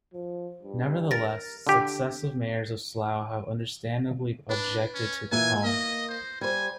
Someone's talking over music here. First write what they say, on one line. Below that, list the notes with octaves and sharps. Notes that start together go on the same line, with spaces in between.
Nevertheless, successive mayors of Slough have understandably objected to the poem.
F3
G2
A#4 A6 A#6
D3 G4
D4 B4
C#4
A#2 E3 G#5
A#3 D#5
C5
G3 C5 G#5